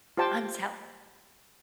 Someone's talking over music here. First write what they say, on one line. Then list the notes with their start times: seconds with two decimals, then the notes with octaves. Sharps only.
I'm so
0.17 F4 G4 C5 G5 A5